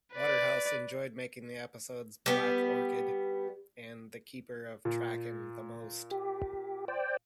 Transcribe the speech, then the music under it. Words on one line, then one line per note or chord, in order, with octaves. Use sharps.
Waterhouse enjoyed making the episodes 'Black Orchid' and 'The Keeper of Traken' the most.
B4 D5
G3 B3
A#2
G4
C5 D5 G5